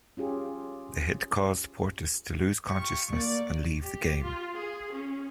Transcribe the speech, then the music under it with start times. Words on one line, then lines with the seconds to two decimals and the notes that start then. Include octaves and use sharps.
The hit caused Portis to lose consciousness and leave the game.
0.17 C#4 F4 G4 G#4
2.68 F4 G4 C#6
3.12 A#3 D5
3.81 G4
4.22 F4
4.56 G#4
4.94 C#4